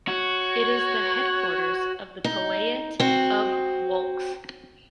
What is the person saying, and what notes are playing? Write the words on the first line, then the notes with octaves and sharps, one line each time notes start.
It is the headquarters of the powiat of Wałcz.
F#4 C#5
D#4
C4 F#4